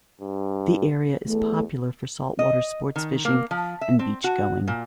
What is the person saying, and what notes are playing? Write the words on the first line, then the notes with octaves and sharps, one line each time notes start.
The area is popular for saltwater sports fishing and beach-going.
G2
E2 A3
D#5
D#3
A#3
F3
E5
C4
F#4
A#2